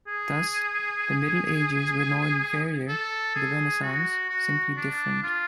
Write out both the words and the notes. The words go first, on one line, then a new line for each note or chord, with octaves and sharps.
Thus, the Middle Ages were not inferior to the Renaissance, simply different.
G#4
A4
G#4
F#4
F#4
D4
F4